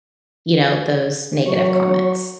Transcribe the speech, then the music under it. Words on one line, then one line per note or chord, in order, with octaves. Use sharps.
you know, those negative comments.
F#3 C#5